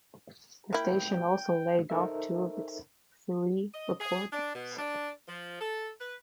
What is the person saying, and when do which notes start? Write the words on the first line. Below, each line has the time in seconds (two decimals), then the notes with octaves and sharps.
The station also laid off two of its three reporters.
0.73 A#3 E4 G5
1.90 D#4 A4 A#4 C5 E5
3.73 D#5
4.00 G#4
4.32 D4
4.54 B2
4.79 D4
5.28 F3
5.61 A4
6.00 B4